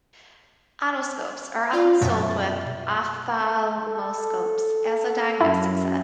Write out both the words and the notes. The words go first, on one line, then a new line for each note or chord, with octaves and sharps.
Otoscopes are often sold with ophthalmoscopes as a diagnostic set.
F4 D5 F5
F#2 B2 E5 A6
A4
F#2 E4